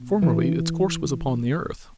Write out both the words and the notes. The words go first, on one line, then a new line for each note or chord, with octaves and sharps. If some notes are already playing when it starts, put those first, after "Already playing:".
Formerly its course was upon the earth.
Already playing: B2
E3